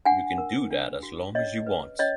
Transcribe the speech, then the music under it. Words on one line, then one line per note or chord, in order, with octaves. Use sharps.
You can do that as long as you want.
D4 F#5 G#5
A#4
D4
F#4
C#4 C#5 D#5
B4
C#4 C#5 D#5